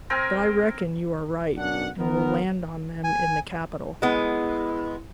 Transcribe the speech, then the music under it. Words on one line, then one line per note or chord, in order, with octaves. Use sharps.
"But I reckon you are right, and we'll land on them in the capital."
C4 A#4 G5 G#5
B1 F#2 D4 F#5
D#3 B3 A#4
G#5
G#3 B3 E4